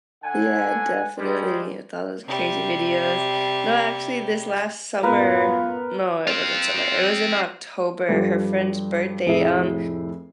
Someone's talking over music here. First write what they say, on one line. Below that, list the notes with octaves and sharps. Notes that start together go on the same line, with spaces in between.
Yeah, definitely with all those crazy videos. No, actually, this last summer- no it wasn't summer, it was in October- her friend's birthday, um
D3 F#5 G#5
G3 G#3
C3 G3
F#2 A2 B3 F4 A#4 B4
C4 F4
G2 F3 G3 A4
F1 A2 G#4 E5 C7